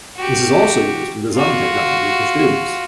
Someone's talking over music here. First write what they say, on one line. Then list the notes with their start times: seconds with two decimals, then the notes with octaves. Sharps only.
This is also used in design technology for students.
0.17 F#4 G4
1.34 F4 F#4